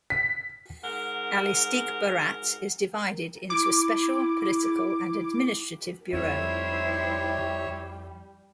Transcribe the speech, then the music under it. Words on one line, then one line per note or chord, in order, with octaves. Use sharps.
Al-Istikhbarat is divided into a Special, Political and Administrative Bureau.
B6
G#2 A#4 F#5
E4 D6
F2 G3 D#4 E4 C5 C#5 E5